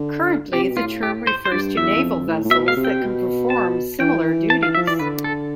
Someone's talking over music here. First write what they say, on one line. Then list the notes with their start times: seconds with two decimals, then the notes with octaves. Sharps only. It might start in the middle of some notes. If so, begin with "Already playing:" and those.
Currently the term refers to naval vessels that can perform similar duties.
Already playing: D3
0.53 C3 G4
0.69 B2
0.77 A2 F4
1.03 G4
1.27 C5
1.45 C5
1.52 G2 D5
1.77 E2 E5
1.96 E2
2.02 F2
2.27 A2
2.44 A2
2.51 B2 E5
2.68 F5
2.77 C3
2.85 G5
3.01 B2
3.50 A5
4.00 E3 G5
4.50 A5
4.63 F5
4.75 F3 E5
4.87 E3 D5
5.00 D3 B4
5.24 A4